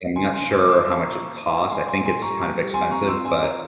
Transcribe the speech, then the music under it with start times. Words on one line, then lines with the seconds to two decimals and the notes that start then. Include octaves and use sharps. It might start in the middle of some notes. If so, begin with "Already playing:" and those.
I'm not sure how much it costs; I think it's kind of expensive, but,
0.16 C#3 G#5 C6
0.34 G#5 C6
0.42 C#3
0.51 C6 E6
0.68 G#3 C6 E6
0.85 C6 E6
0.94 A#2
1.02 A#5 C#6
1.20 A#3
1.45 G#2
1.71 G#3 G#5 C6
1.87 G#5 C6
1.97 A#2
2.06 G#5 C6
2.22 G3 A#5 C#6
2.48 G3
2.74 C4 G#5 C6
2.91 A#5 C#6
3.00 F3
3.08 C6 E6
3.25 F4 G#5 C6
3.43 A#4 C#5
3.51 F4